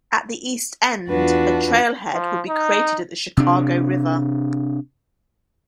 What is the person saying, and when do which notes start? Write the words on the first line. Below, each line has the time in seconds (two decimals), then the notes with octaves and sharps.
At the east end, a trailhead would be created at the Chicago River.
1.09 E2 D4 F4 F#4 B4
2.14 F3
2.48 D#4
3.37 C3 D4